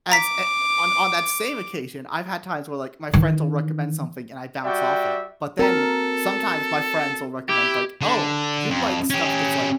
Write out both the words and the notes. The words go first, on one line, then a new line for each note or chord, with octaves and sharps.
And a on on that same occasion, I've had times where, like, my friends will recommend something, and I bounce off it, but then sometimes my friends will recommend, like, "Oh, you like stuff that's, like,
A#5 D6 B6
D#3 E3
G3 F#4 D5 E5 G5
C4 F#4 A4 A#4 A#5
E4 G4
D3
F2
C#4 G4